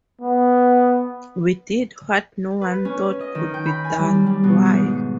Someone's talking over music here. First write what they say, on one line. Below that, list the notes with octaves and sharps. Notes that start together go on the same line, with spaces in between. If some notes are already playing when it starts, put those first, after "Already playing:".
We did what no one thought could be done. Why?
B3
B4
C#4
D#5
D#3
G5
B5
G#5
G3
G3
B2
G#2